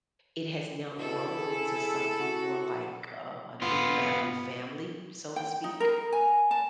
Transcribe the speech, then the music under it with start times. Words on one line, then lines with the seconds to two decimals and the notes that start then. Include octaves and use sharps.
it has now grown into something more like a a newfound family, so to speak.
0.97 B2 E4 A4
1.35 G#4
2.20 F#4
3.62 B3 F4
5.36 G5
5.64 D#4
5.80 A#4
6.12 G#5
6.51 A5